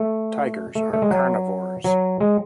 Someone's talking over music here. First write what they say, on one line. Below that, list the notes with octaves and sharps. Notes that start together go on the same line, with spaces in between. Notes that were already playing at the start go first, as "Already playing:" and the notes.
Tigers are carnivores.
Already playing: A3
A3
A3
G#3
F#3
F#3
G#3